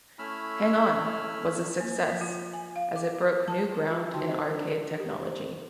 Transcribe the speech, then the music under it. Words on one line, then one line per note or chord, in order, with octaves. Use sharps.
"Hang-On" was a success as it broke new ground in arcade technology.
A3 C#4 E4 B5 E6 F6
A#3
F3
F4
G#5
F5
D6
A5
F4
D3 D#4 F#4 G5 A5 C6
C5 D#5 E5
D4 A4 D5
G4
C5